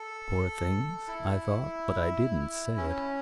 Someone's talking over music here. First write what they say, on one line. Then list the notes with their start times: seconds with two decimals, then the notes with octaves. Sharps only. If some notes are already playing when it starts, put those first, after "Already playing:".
"Poor things," I thought, but I didn't say it.
Already playing: A4
1.08 E4
2.78 C#4